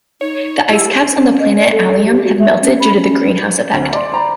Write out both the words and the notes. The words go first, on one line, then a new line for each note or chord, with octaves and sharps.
The ice caps on the planet Allium have melted due to the greenhouse effect.
D#4 C#5
E4 G4
C#4
D#5
D5
A4
G4
F#4
E5
C#4
B5
C#4
D2 C4
D5 C6
C5 A#5 B5